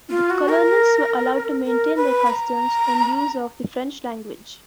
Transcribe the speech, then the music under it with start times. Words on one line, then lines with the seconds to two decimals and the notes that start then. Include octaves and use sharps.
The colonists were allowed to maintain their customs and use of the French language.
0.10 F4
0.30 F#4
0.49 A#4
1.66 A#4
1.96 B4
2.26 B5
2.30 A#5